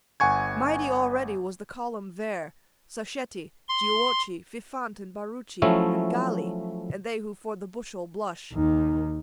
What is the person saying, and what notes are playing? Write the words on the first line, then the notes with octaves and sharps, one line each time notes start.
Mighty already was the Column Vair, Sacchetti, Giuochi, Fifant, and Barucci, And Galli, and they who for the bushel blush.
G1 F#5 G#5 C#6 G#6
C6
F3 F#3 A3 C#4 E4
D#2 D#3